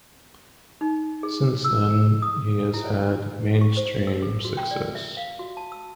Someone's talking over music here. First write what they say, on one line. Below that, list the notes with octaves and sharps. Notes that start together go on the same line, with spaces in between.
Since then he has had mainstream success.
D#4
G#4
E6
D#6
E4
C#6
C5
E6
G#4
F#4
G5
D5
E5
F5
F#4
A5
E6